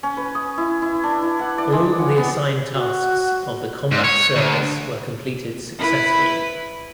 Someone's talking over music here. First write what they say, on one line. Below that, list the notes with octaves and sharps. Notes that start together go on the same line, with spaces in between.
All the assigned tasks of the combat service were completed successfully.
C#4
B4
D#6
E4
E4
D4
E4
F#5
D5
G#3
F#5
B3
F#4
G#2
C#5
D2
E4 B4